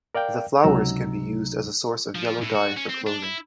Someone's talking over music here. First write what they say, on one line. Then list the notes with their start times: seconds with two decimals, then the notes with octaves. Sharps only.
The flowers can be used as a source of yellow dye for clothing.
0.15 A#4 D5 F5 G5
0.63 C#2 C3 F#3 D#4 A#5 E6
2.15 F3
2.42 A2
2.55 F#4
2.77 C#4
2.89 C4
3.07 D4
3.23 E4